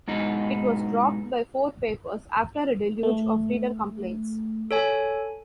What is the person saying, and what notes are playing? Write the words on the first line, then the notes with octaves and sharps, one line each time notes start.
It was dropped by four papers after a deluge of reader complaints.
G#2 B2 D#4
A3
A4 C#5 G#5